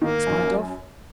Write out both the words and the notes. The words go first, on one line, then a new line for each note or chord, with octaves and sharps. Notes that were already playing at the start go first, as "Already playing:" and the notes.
In spite of?
D#3 A#3
F#2